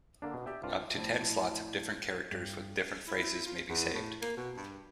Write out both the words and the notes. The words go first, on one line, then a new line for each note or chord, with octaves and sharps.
Up to ten slots of different characters with different phrases may be saved.
D3 A#3 D4
B2
G4 D5 E5 G5
C2 G2 F4 D5 A5
A2 F3 A3 E4 D5 A5
G2
E4
F4
E2
A2
A#3
B2
G2